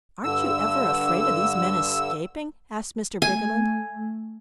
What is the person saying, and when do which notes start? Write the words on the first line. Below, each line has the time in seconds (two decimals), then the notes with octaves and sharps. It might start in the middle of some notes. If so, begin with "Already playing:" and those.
"Aren't you ever afraid of these men escaping?" asked Mr. Briggerland.
0.24 G2 D3 E6
3.22 A3 G#5